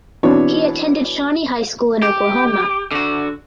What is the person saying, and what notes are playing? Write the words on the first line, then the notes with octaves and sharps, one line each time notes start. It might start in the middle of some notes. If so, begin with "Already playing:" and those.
He attended Shawnee High School in Oklahoma.
B2 E3 D4 C#5
G4
D3 F#4